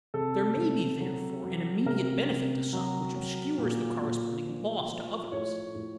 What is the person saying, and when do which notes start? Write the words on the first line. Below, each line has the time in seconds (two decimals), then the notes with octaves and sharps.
There may be, therefore, an immediate benefit to some, which obscures the corresponding loss to others.
0.14 C3 A4
0.56 C3
1.00 F#3
1.44 F#3
1.86 C3 A#4
2.30 C3
2.73 F#3
3.15 F#3
3.58 A#2
4.01 A#2
4.45 F3
4.88 F3
5.32 A2 C#5
5.75 A2